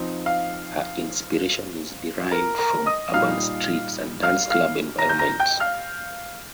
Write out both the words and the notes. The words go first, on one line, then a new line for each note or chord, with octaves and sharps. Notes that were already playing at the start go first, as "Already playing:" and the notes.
Her inspiration is derived from urban streets and dance club environments.
Already playing: F3 C4 D#4
F5
A#4 A#5
A#4 A#5
D#5 D#6
A#2 G3 D#4 F5 F6
F5 F6
F5 F6
A#5 A#6
G6
A#5 A#6
G5 G6
F5 F6